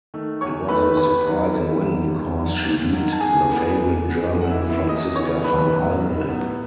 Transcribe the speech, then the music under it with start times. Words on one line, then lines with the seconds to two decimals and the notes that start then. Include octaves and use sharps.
It was a surprising win because she beat the favorite German Franziska van Almsick.
0.14 D#3 A3
0.41 E2 C#5 C#6
0.68 D#3 A3 B4 B5
0.97 D#2 B4 B5
1.25 D#3 F#3
1.53 D#2
1.81 D#3 F#3
2.08 D#2
2.36 D#3 F#3
2.64 D#2
2.93 D#3 F#3
3.12 A5
3.20 E2 G#4 G#5
3.48 C#3 E3 B3
3.76 E2
4.04 C#3 E3 B3
4.32 E2
4.41 F#5
4.50 E4 E5
4.60 C#3 E3 B3
4.70 E4 E5
4.89 E2 D#5 D#6
5.16 C#3 E3 B3 C#5 C#6
5.44 B1 B4 B5
5.72 A2 F#3 B3
6.00 B1
6.28 A2 F#3 B3